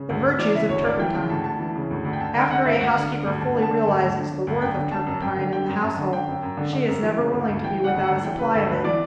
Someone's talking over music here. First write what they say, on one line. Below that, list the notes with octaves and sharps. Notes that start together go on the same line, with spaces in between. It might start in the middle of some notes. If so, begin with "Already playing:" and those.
The Virtues of Turpentine.--After a housekeeper fully realizes the worth of turpentine in the household, she is never willing to be without a supply of it.
Already playing: C#3
D2
D2
E3 D5
C#3 E5
D2 C#5
D2 D5
E3 G5
C#3 G5
D2 A5
D2 A5
E3
C#3
D2
D2
G5
D2 A5
D3 G5
D3 F#5
D2 E5
D2 F#5
D3
D3
D2
D2 A5
D3
A5
D3
D2
D2
D3
D3
D2
F#2 G5
D3
D3 A5
F#2
F#2 G5
D3
D3 G5
F#2
F#2 A5
D3
D3 G5
F#2
F#2
D3
D3
F#2
E3
C#3
D2
D2
E3 G5
C#3
F#5
D2
F#5
D2
E3 G5
C#3 B4
D2 A4
D2 B4
E3 D5